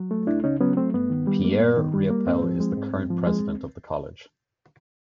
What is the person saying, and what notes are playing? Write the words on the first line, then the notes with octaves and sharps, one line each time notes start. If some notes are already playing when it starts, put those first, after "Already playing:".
Pierre Riopel is the current president of the college.
Already playing: F#3
A3
C#2 D4 E4
C#3 C#4 D#4
F#3 B3 C#4
A3 C4
G2 B3
D#3
G3
A#3
G2
D#3
G3
A#3
G#2 C4
F3
G#3
G#2
G#2
F3
G#3